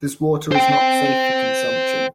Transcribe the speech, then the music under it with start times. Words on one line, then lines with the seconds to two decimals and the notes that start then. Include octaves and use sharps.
This water is not safe for consumption.
0.52 C5 G5